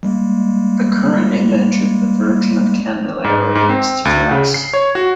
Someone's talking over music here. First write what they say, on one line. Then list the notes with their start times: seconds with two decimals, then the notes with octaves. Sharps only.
The current image of the Virgin of Candelaria is to dress.
0.03 G3 G#3 A#3
3.24 G#2
3.55 G#2
3.69 C4
4.05 D2
4.31 C#3
4.54 C7
4.73 C#5
4.95 F#4